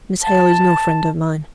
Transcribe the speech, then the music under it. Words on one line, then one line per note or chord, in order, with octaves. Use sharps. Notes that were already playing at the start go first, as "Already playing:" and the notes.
'Miss Hale is no friend of mine.
A5